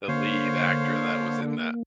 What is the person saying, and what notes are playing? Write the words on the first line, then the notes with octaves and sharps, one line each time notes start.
The lead actor that was in that,
D3 A#3 C5 C#5 F5